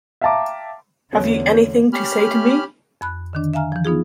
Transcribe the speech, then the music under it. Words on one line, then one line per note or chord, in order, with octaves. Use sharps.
Have you anything to say to me?
E5 F5 G5 A5 A#5 D6
E2 D3 A3 B3 C#4 F#4 C#5
C#4 G4 B5 F6
F2 B5 F#6
D3 D#3 D4
E5 F5 G#5 A#5 F6
E3 F3
B3 D#4 F4 G#4